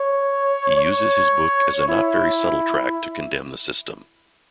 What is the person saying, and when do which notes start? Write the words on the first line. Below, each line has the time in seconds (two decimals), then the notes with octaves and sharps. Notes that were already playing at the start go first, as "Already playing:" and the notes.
He uses his book as a not very subtle tract to condemn the system.
Already playing: C#5
0.77 C#5
1.89 E4